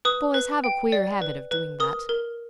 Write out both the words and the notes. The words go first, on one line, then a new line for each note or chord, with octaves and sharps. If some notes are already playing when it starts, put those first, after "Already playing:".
Boys have a queer habit of doing that.
B4 D#6
B4
G5
D5
B4
B4
A#4 D#6
A#4